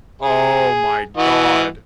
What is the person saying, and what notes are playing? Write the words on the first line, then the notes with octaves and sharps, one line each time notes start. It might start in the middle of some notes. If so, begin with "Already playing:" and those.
Oh, my god.
G#4
E3 F#4 D#5